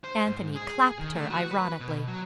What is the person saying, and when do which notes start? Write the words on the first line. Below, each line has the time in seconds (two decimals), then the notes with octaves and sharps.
Anthony clapped her ironically.
0.04 C5
0.27 G#2
0.55 G#4
0.99 D#3
1.15 A3
1.30 F#4
1.51 B4
1.80 B2
2.08 F#3